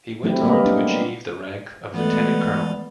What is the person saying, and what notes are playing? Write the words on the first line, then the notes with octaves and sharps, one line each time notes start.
He went on to achieve the rank of lieutenant-colonel.
F#3 A3 C4 E4 G4
G3 A#3 B3 A#4 B4 D#5
D4 E4
E3 G#3 A3 B3 D5